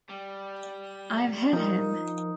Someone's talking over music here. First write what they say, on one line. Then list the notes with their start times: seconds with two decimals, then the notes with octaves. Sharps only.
I've hit him.
0.09 G3
1.53 F3 D#4 A#4